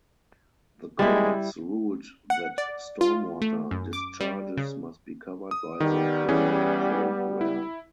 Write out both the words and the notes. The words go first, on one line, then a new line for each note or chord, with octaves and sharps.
The courts ruled that stormwater discharges must be covered by the permit program.
G3 G#3 E4
F#5
D5
F4
A3
F#2
D6
G3
C#3
D#6
D#3 G3 B3
E3 C#4 G#4
E4